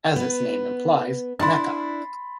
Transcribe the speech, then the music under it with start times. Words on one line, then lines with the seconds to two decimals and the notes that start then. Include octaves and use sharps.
As its name implies, Mecha!
0.16 B3 B4
1.39 D4 E4 B5 C6 A6